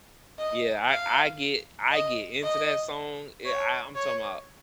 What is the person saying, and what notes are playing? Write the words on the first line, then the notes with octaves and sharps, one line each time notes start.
Yeah, I I get I get into that song, I I I'm talking 'bout
D#5
F5
D#5
D#5
C#5
C#5